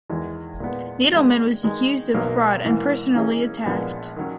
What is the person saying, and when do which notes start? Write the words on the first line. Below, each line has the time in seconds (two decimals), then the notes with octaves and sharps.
Needleman was accused of fraud and personally attacked.
0.09 E2 D#3 G#3
0.60 A#2 G#3 B3
1.12 D#3 G#3 B3
1.63 D#3 G#3 D#4
2.14 B1 B2 F#3 A#3
2.65 G#2 E3 A#3
3.14 E3 A#3 C#4 G#4 D#5
3.66 A#1 A#2 G#3 B3
4.16 D#3 F#3 C#4